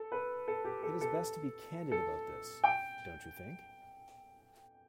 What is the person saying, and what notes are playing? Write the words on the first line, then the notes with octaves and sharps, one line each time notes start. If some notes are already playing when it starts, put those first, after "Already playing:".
It is best to be candid about this, don't you think?
Already playing: A4
B4
A4
G4
A4
A4
A4
G5